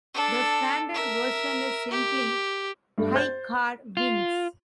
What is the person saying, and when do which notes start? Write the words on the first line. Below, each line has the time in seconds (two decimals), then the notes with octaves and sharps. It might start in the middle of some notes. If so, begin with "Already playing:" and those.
The standard version is simply high card wins.
0.14 D4 A4
0.94 A#4 E5
1.91 G4
2.98 G2 A3
3.14 C5 G6 A6
3.97 F4